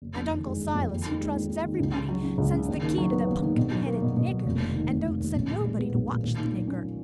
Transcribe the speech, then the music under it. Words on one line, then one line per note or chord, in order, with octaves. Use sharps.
And Uncle Silas he trusts everybody; sends the key to the punkin-headed nigger, and don't send nobody to watch the nigger.
F#1
F2
D#3
G#3
F#1
F2
D#2
D#3
G#3
D#2
D#2
D#3
C#2
C#3
F#3
C#4
C#2
C#3
D#2
D#3
F#3
B3
D#2
D#3
B2
F#3
A#3
B2
B2
F#3
F1
D#2
D#3
F1
F1
D#2
B1
A#2
G#3
B3
B1
A#2
D#2
D#3
F#3
C#4